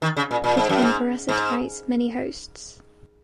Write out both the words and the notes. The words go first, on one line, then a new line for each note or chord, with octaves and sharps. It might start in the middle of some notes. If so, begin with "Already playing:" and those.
It can parasitize many hosts.
D#3
C#3
A#2
A#2
G#2
F#2
G#2
G#2